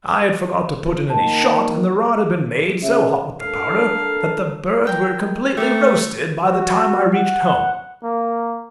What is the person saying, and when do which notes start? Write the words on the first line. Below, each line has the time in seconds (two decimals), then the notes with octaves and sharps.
I had forgot to put in any shot, and the rod had been made so hot with the powder, that the birds were completely roasted by the time I reached home.
1.10 D#3 A#3 A5
2.82 C#3 E5
3.40 D4 A4 A#4 F5
4.87 A#4 G5
5.57 A3 G4 A#4
6.43 F#4
7.14 F#5
8.03 A#3